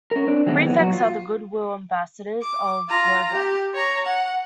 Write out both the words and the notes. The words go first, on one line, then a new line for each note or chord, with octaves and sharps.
Prefects are the good-will ambassadors of Woburn.
C#4 A#4
C4 D4
D#3 F#3 G#3 A3 B3 C4
E3 F#3 B3
A#2 F#3 F#4
F4
D6
F4 A#5
G4
C#5 A#5
F#5